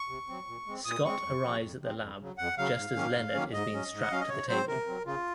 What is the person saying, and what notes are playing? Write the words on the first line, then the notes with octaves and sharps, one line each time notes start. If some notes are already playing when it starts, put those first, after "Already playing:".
Scott arrives at the lab just as Leonard is being strapped to the table.
Already playing: C#6
C3
F#3 C4
A#2
G#3 C4
A#2 D#6
G#3 C4 C#6
F2
C3 F3 C4
F2
C3 F3 C4
F2
C#3 F#3
F2 F#5
C#3 F#3 F5
G#2
D#3 F#3 A#3 C#4
G#2
D#3 F#3 A#3 C#4
G#2 D#5
F#3 C#4
G#2
F#5
F#3 C#4 F5
D#5
C3 C#5
F#3 C4 C5
C3 A#4
F#3 C4
C#3 F4